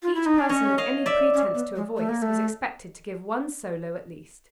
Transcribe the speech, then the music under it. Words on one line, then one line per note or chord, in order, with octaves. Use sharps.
Each person with any pretence to a voice was expected to give one solo at least.
F4
E4
D#4
D4
C#4 C#5 D#5
D#5 F5
D5 E5
C#4
B3
G#3
A3
A#3
A3